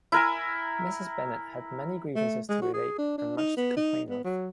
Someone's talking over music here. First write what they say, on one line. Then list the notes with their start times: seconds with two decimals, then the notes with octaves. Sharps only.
Mrs. Bennet had many grievances to relate, and much to complain of.
0.12 E4 A#4 G#5
2.16 A3
2.49 G#3
2.62 F#4
2.74 G#4
2.98 D4
3.18 D4
3.37 D#4
3.57 B3
3.77 D#4
4.09 B3
4.24 F#3